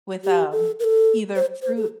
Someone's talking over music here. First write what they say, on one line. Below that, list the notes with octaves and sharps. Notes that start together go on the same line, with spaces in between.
with, um, either fruit
G4
A4
A#4
A4
C5
C5
A4